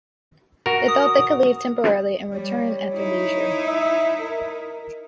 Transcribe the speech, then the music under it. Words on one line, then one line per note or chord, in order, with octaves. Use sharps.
They thought they could leave temporarily and return at their leisure.
F#4 A#4
D#6
G3 C#5
D#4 E4
E5
A#4